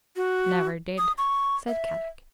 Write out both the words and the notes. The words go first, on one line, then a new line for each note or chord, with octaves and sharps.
"Never did," said Kadok.
F#4
D#6
C#6
E5